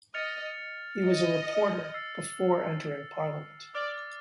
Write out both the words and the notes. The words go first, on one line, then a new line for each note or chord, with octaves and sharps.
He was a reporter before entering Parliament.
D#5 F6 A6 C#7 F7
D#5
E6 A6 C7
D5 D6 F6 A6